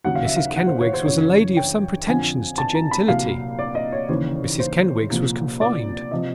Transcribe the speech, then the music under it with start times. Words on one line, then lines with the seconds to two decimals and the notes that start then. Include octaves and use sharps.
Mrs Kenwigs was a lady of some pretensions to gentility; Mrs Kenwigs was confined.
0.05 D#2 C#3 F#3 F#5
0.15 F5
0.25 E5
0.36 F5
0.56 F#5
0.68 C5
0.81 C#5
0.94 C5
1.05 F#2 C#3 E3 C#5
1.57 G5
2.07 F2 D3 F3 G#5
2.58 A5
2.75 A#5
2.91 B5
3.08 C2 A#2 F#3 F5
3.59 D5
3.75 D#5
3.92 C#5
4.09 D#2 C#3 E3 C5
4.60 C5
5.10 C2 A#2 F3
5.61 D5
6.11 C3 F3 D#5